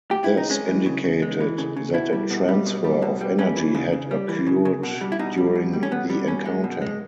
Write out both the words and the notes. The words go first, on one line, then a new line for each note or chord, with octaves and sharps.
This indicated that a transfer of energy had occurred during the encounter.
G4
E4
D#4
G#3 C#4
E3
C#3
C#3
G#3
E3
C#3
C#3
B2 E4
G3
B2
G3
B2
G3
B2
G3
G3 C#4
E3
C#3
C#3
G3
E3
C#3
C#3
B2
G3
E4
B2 D#4
G3
B2
G3
C#4
B2 B3
G3
B2 C#4
G#3
B2
G#3